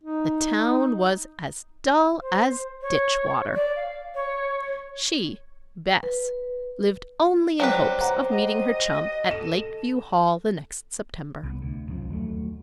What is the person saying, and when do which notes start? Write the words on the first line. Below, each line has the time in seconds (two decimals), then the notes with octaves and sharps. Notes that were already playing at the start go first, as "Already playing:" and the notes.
The town was "as dull as ditch water." She, Bess, lived only in hopes of meeting her chum at Lakeview Hall the next September.
0.03 D#4
2.21 C5
2.82 C#5
3.55 D5
3.76 F5
4.15 C#5
6.03 B4
7.60 F#3 G3 B4 C5
8.00 F#5 A#5
8.30 D#5
9.31 A4 E7
11.43 C2 B3
11.62 D2
11.87 C#2 F#2 C#3 F3
12.10 D#2 F#3 G#3 A3